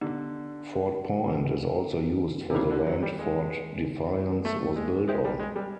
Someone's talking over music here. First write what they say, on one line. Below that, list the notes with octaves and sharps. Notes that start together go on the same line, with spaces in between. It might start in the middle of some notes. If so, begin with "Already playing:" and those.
Fort Point is also used for the land Fort Defiance was built on.
D3 B3 D#4 G4
C3
C#3 E4 G4 A#4
D3
F#3
G3
G#3
A3
G#3
G#3 G#4 C5 E5 G5
G3
G#3
G3